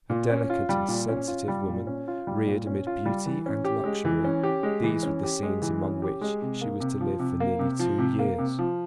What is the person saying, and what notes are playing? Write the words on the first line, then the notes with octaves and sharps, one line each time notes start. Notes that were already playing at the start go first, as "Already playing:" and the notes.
A delicate and sensitive woman, reared amid beauty and luxury, these were the scenes among which she was to live for nearly two years.
A#2
C#4
F4
G3
A#2
C#4
F4
G3
A#2
C#4
F4
G3
A#2
C#4
F4
G3
E3
C#4
G4
G#3
E3
C#4
G4
G#3
E3
C#4
G4
G#3
E3
C#4
G4
G#3
C3
A#3
C3
F3
C3
A#3
C3
F3
C3
A#3
C3
F3